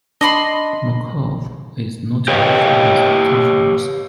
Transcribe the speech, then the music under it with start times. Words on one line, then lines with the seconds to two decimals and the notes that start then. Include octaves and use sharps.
Markov is noted for his toughness.
0.21 D4 D#5 B5 C6
2.28 G4 B4 C#5 D#5 F5